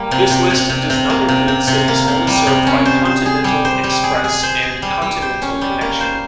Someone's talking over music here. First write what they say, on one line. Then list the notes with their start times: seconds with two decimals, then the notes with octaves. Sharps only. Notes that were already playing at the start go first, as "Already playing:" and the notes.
This list does not include cities only served by Continental Express and Continental Connection.
Already playing: G3 A#3
0.11 C3
0.31 C3
0.50 C3
0.69 C3
0.90 C3
1.10 A#3
1.28 C3
1.48 C3
1.67 C3
1.88 A#3
2.08 C3
2.27 G3
2.47 C3
2.66 C#4
2.85 C5
3.05 C5
3.26 G#4
3.44 G3
3.65 C5
3.83 G3
4.03 G#4
4.24 G#4
4.43 C5
4.63 G#4
4.82 G3
5.02 G3
5.22 C5
5.42 C#4
5.61 G3
5.81 A#3
6.01 C5